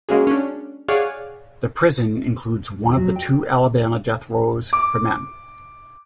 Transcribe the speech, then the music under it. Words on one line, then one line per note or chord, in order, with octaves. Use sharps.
The prison includes one of the two Alabama death rows for men.
G#3 A#3 C#4 F#4 G#4
C#4 D4
G#4 C#5 D5 F5 F#5 G#5
D#2
F#3
G5
D6